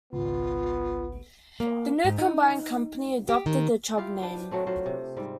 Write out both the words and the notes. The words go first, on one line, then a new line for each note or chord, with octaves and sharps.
The new combined company adopted the Chubb name.
G#1 C#2 B3 F4
A#3
G#2
D#4
G4
D#3
E4 F4 G4 F5
D4 B4 C5
F#3 A3 C4
F#3 F4 C5
C3
G#2 G3 C4